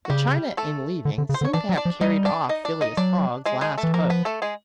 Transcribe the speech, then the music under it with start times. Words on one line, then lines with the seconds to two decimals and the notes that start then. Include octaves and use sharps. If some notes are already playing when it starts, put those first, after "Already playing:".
The China, in leaving, seemed to have carried off Phileas Fogg's last hope.
0.05 F#4
0.10 C#3 G3 G4
0.57 A3 A4
1.05 D3
1.18 D3
1.29 C#3
1.34 C5
1.41 D3
1.45 C#5
1.53 E3 D4 D5
1.69 F#3
1.77 D4 D5
1.85 F3
2.01 G3 D#4 D#5
2.25 D4 D5
2.49 D#4 D#5
2.65 D4 D5
2.81 D#4 D#5
2.97 F#3 D4 D5
3.46 G#3 G#4
3.61 G#3 G#4
3.78 A3 A4
3.83 E3
3.94 F3 A#3 A#4
4.10 B3 B4
4.25 A3 A4
4.42 G#3 G#4